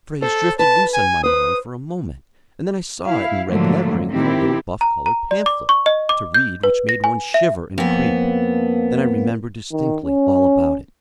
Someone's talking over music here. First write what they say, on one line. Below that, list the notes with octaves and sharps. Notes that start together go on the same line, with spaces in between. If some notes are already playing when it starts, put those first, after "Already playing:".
The phrase drifted loose in my mind for a moment, and then I saw it in red lettering on a little buff-coloured pamphlet, to read which made one shiver and creep. Then I remembered distinctly all about it.
A4 C5
B4 A5
G#5
B4 C5 D#6
E4 F5
G#2 D3 F3 F#3 A3 A#3
D#3 C4 E4 G4
A#5
A#5
D5
D6
C#6
D#5
D6
G6
B4
A#6
G#5
E5
F2 A#3 B3
D#3
C#4